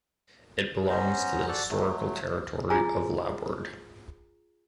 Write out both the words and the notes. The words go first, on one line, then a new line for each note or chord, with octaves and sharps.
It belongs to the historical territory of Labourd.
B3 C#4 C5 A#5
F#4 A4 D5
F#3 A3
F4 G#4 G#5 A#5